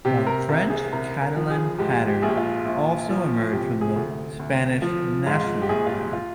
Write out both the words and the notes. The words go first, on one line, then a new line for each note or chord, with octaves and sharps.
The French Catalan pattern also emerged from the Spanish National pattern.
C3 G4
A#4
C2 A#4
G#4
C2 A#4
A#4
F3
G#4
G#2 G4
G4
A#1 G#4
G4
F4
A#1
F3
C3 G4
G#4
D2
D2
F3
G#2 F4
G4
A#1 G#4
F4
G4
F4